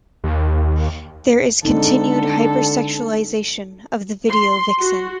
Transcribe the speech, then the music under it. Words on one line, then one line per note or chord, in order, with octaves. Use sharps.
There is continued hyper-sexualization of the video vixen.
D#2
D3 G#3 C4 D#4 A4
C6
F#4